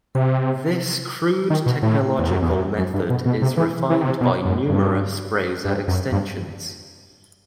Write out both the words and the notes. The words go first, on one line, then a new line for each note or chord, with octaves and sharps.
This crude technological method is refined by numerous browser extensions.
C3
D#3
B2
A2
E2
F#2
E2
F#2
F#2
G2
B2
B2
C3
E3
E3
D#3
C3
B2
F#2
G2
G2
F#2
G2